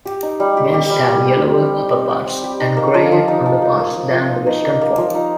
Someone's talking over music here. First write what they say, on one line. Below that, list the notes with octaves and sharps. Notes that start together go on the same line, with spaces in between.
Males have yellower upperparts and greyer underparts than the western form.
G4
D#4
G3
G4
G4
G3
G3
G4
C4
G3
D#4
C4
G4
C4
G4
D#4
A#3
F3
F3
D#4
F3
D#4
A#3
F3
F3
D#4
D#4
A#3
A#3
F3
D#4